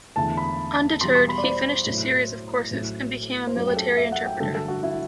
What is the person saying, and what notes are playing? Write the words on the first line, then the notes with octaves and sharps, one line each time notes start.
Undeterred, he finished a series of courses and became a military interpreter.
E2 D3 A3 A5
B5
E2 B2 G3 C6
C6
B5
D5
C5
A2 F#3 A3
A2 F#3 A3
C5
F#2 F#3 A3 B4
G4
A4
E5
F#5
G5
G2 D3 F#3 A3 A4
A4
F#4
E4